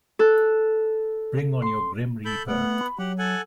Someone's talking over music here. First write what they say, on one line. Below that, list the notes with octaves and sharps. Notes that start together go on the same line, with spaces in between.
Bring on your grim reaper!
A4 F#6
C6
A4 B5 G6
A3 B3 F#5
B5
F#3 G4 F#5
A4 F#5 G#5